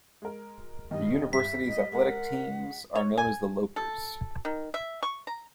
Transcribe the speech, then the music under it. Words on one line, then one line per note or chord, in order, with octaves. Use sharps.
The university's athletic teams are known as the Lopers.
G#3 A#4
G2 D#3 D#5
G2 E5 B6
D#5
G#3 A#4 F#5
C#5
G#5
A4
D#3
E5
C#6
A#5